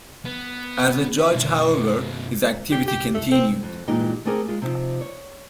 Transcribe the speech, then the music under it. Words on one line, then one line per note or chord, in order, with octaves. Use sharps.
As a judge, however, his activity continued.
B3
B4
F#2 B2
G4
G4
A3
C4
F2
G2 A#2 E3 G#3 D#4 G4
A3 C4 G4 G#4 A#4
G#3 F4
C3 F3 D#4
C#5